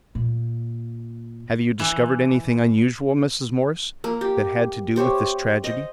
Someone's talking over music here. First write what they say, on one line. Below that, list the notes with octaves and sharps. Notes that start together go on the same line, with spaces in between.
"Have you discovered anything unusual, Mrs. Morse, that had to do with this tragedy?"
A#2
E3
A#3
G4
G4 C5 C#5 E5
C5 D#5